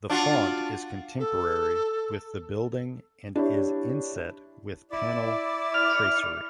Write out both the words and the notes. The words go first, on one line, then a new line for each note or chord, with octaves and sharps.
The font is contemporary with the building and is inset with panel tracery.
D4 F4 F#4
A4
D4 E4 G4 C#5
E4 D5
F6